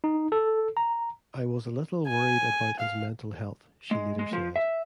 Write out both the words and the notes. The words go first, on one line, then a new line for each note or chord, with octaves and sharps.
"I was a little worried about his mental health," she later said.
D#4
A4
A#5
G#5
F5
G#3
G#3
F3
E5